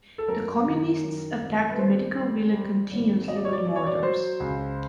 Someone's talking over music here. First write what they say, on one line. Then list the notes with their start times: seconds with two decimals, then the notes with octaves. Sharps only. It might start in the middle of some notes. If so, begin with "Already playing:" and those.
The communists attacked the medical villa continuously with mortars.
0.18 A4
0.28 F#2 A#4
0.66 D#3
1.04 F#2
1.41 G#1
1.70 B4
1.79 G#1 C5
2.16 G3
2.54 G3
2.91 G#1
3.28 F#3 D#5
3.36 D5
3.45 C#5
3.53 D5
3.65 F#3 D5
3.76 C#5
3.86 D5
4.03 F#3 C5
4.40 C#2